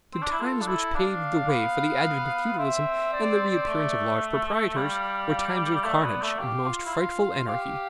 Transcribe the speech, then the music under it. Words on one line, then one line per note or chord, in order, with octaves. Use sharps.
The times which paved the way for the advent of feudalism and the reappearance of large proprietors were times of carnage and the most frightful anarchy.
C4
D4
E4
F4 A4
D4
E4
D4 F5
B3
C4 E5
D5
A3
G3 F5
F5
A3 D5
B3
A3
G4 F5
F4
E4
F4
F4
G4 F5